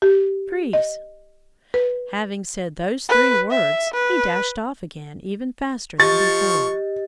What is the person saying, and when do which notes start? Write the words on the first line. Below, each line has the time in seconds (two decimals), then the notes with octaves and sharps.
"Trees!" Having said those three words he dashed off again even faster than before.
0.02 G4
0.73 D#5
1.74 B4
3.09 B4
3.50 E5
3.94 B4
6.00 F3 G4 D#5 C#6 A6